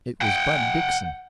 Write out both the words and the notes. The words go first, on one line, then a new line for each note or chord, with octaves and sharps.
It was Bud Dixon.
F#5 G5